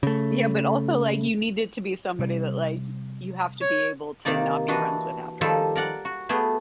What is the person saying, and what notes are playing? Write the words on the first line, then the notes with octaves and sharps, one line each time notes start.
Yeah, but also, like, you need it to be somebody that, like, you have to be able to not be friends with afterwards.
C#3 A3
C3 G3
C#5
C3 D#3 A#3 D#4 D5
E3 D4 F#4 D#5
D#3 F3 G3 G4 A4
A#4 D5 F#5
F#4
A3 B3 G4 G#4